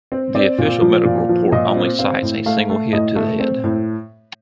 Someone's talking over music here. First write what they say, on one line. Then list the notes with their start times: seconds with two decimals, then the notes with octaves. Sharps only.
The official medical report only cites a single hit to the head.
0.12 C4
0.35 C4 D5
0.58 A#2
0.81 F3
1.05 A#2
1.29 F3
1.52 A#2 D#5
1.76 C4
1.99 C4 F5
2.22 A2
2.46 A3 F5
2.70 A3
2.93 A2 D#5
3.16 A3
3.40 C4
3.64 A2